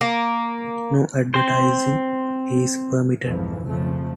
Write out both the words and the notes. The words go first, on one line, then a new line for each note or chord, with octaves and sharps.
No advertising is permitted.
A#3
C4 C5
B1 F2 G#2 E3 F3
F2 C#3 F3 A3